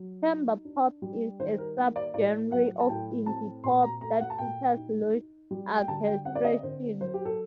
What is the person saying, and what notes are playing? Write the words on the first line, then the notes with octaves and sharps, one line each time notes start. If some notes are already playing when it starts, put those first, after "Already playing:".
Chamber pop is a subgenre of indie pop that features lush orchestrations.
Already playing: F#3
D#4
D4
G3
D#3 C5
A#4
A#3
D5
A2 D5
F#3 F#5
A5
A2 G5
C4 A5
A#2 C6
A#5
A3 A#5
F#5
A5
A#2 G5
D#4
D#4
G3
G5
D3 A5
G5
C4 F#5
D5
D#5
D3 C5
F#3 C5
G4
A4